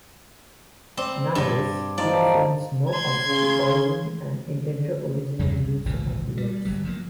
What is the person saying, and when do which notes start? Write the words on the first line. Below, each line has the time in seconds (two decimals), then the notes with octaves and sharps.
Nowadays few Finns know of the origins and intended original use of the words.
0.97 C4 D5 C6
1.35 G2
1.98 F3 D4 D#4 D5
2.90 C6 G#6
3.27 C#3
5.39 E2 G2 C3 D#3
5.60 C2
5.85 G#1 C#2 A#2 E3
6.38 G3
6.65 G1 F#3 G3
6.85 F3 F#3 G#3 A#3